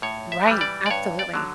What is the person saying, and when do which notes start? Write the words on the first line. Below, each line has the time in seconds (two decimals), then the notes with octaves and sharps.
Right. Absolutely.
0.02 A2 C#5
0.32 E5
0.46 E3 G3
0.61 D5
0.86 D5
0.90 G2 C#5
1.19 D5
1.34 D3 F#3